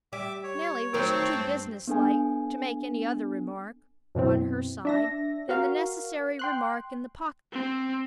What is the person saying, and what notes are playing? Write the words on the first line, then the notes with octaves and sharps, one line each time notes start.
Neelie was too business-like to make any other remark, on her side, than the necessary remark in the pocket-book.
G3 E5 D6
C#5
D#3 F#3 A3 C4 A#4
G2
B3 D4 A4 G#5
F#2 B2 E3 C4
D4 E5 A#6
F#4 A#4 F5
G5 C6 F#6
C4